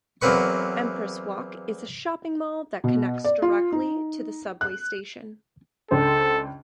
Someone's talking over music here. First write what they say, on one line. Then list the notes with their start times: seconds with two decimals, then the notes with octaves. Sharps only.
Empress Walk is a shopping mall that connects directly to the subway station.
0.21 E2 F#3 A#3 C4 B4 C#6
2.84 B2
3.24 D5
3.42 F4
3.72 D#4
4.61 F#6
5.91 C#2 D4 A4 C5